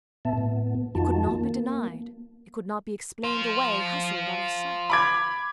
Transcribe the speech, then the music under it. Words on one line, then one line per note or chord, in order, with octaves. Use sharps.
It could not be denied; it could not be explained away, hustled out of sight.
A#2 B3 E5 A5
A2 B3
F2 D#3 D#4 F4 F#4 A5
A#3
F4 C5
B5 D6 G#6